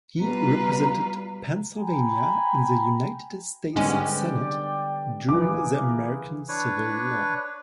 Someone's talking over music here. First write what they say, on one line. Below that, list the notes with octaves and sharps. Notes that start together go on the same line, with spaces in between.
He represented Pennsylvania in the United States Senate during the American Civil War.
B2 G3 F4 B4 A#5
G5 G#5 A#5 B5
G#2 D3 G3 G#3 B3 C#4 D5 G5
E3 A#3 G#4 D6
D4 B4 C#5